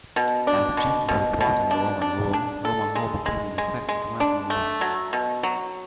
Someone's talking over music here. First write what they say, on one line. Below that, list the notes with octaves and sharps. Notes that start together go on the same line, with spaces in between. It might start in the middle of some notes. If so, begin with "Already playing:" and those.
As "gentes" were brought under Roman rule, Roman law became in effect international law.
B2
D4
B2
B2
B2
D4
D4
D4
A4
G#3
G#3
G#3
G#3
D4
A3
F#3
B2
F#3